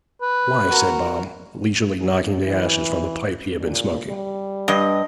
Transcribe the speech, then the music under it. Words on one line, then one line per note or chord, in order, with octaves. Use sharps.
'Why?' said Bob, leisurely knocking the ashes from the pipe he had been smoking.
B4
F#4 A#4
E3
A#2
G3
G2 D#5